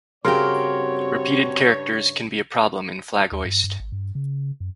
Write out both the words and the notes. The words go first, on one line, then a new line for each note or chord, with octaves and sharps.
Repeated characters can be a problem in flaghoist.
G2 C#3 C4 F#4 G4 A#4 C#5 C6
D#2
G2
G2
G#1
G2
C#3
F#2